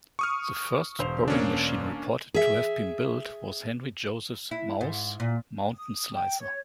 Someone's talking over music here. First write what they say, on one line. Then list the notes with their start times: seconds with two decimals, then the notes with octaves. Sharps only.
The first boring machine reported to have been built was Henri-Joseph Maus's "Mountain Slicer".
0.19 C#6 D#6 F6
0.99 E1 C5 F7
1.28 A#3 C#4 D4
2.34 G#4 E5
4.51 E4
4.81 G#2
5.20 A#2
5.74 D#6
6.13 G5
6.40 C#5